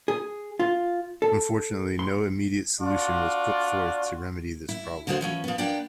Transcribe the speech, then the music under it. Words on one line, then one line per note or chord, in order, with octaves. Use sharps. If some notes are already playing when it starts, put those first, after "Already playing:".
Unfortunately, no immediate solution was put forth to remedy this problem.
G#4
F4
A4
C6
D4 F4 F#4 D5
E4
D3 F3 G#3 F#4 C5
E3 F3 C#4
F3 B3
A#3 B3 D4 D5 G5